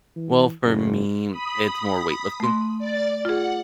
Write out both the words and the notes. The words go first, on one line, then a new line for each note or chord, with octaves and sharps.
Well, for me, it's more weightlifting.
E3
F#1
B5 D#6
A3 C6
D5 A6
F4 G#4 F#5